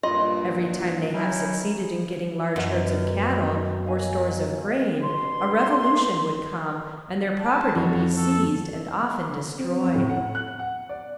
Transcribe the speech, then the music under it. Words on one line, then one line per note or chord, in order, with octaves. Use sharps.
Every time they have succeeded in getting large herds of cattle or stores of grain a revolution would come and their property be seized and often destroyed.
G2 A#2 F4 D#5 C6
F#3 C#4 D#4 E4
F#2 B2
D#3 F5 G#5
G2 B2 C6
A5
F2 F#4
A4
C4
F2
A2
F#5
F#6
F#5
D5